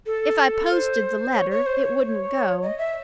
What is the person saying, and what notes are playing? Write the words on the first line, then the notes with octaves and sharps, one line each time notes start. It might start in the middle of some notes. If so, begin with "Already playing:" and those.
If I posted the letter, it wouldn't go.
A4
C5
C#5
C#5
C5
C#5
D#5
E5